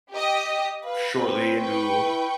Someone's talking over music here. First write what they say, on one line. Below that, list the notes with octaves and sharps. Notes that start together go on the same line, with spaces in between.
shortly into
G4 D#5
B4 F5
C4
B4 G5 C#6
E4